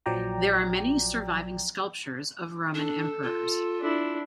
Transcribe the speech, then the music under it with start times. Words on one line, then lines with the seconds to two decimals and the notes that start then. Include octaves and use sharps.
There are many surviving sculptures of Roman emperors.
0.06 A#1 F3 F#3 D5 G5 A#5
2.74 D4 A4
3.23 F4
3.81 D4 E4